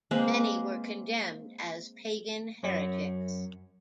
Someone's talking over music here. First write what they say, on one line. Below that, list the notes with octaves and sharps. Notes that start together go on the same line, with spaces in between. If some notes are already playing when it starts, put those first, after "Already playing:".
Many were condemned as pagan heretics.
G#3 A#3 C4 B4
F#2 C#5